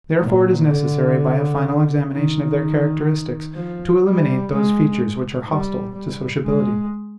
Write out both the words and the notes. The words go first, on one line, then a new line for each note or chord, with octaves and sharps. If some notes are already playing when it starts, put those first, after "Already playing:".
Therefore it is necessary, by a final examination of their characteristics, to eliminate those features which are hostile to sociability.
A#2
D3
D#3
F3
G3
G#3
G3
G3
G#3